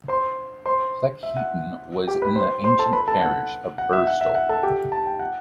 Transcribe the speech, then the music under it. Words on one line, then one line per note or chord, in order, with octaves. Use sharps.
Cleckheaton was in the ancient parish of Birstall.
C5 C6
C5 C6
E5
F#5
G4 G5
B4 B5
C5 C6
C5 C6
A4 A5
B4 B5
A4 A5
F#5
F#5
E5
F#5
E5
F#5
A4 A5
G4 G5
A5
G5
F#5